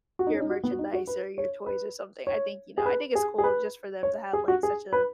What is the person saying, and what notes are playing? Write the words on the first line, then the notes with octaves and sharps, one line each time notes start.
your merchandise or your toys or something, I think you know, I think it's cool just for them to have, like, such a
F#4
D#4
C#4
D#4
F#4
B3
F#4
D#4
F#4
B4
C#5
B4
C#5
G#4
B4
G#4
G#4
B4
C#5
G#4
F#4
G#4
B4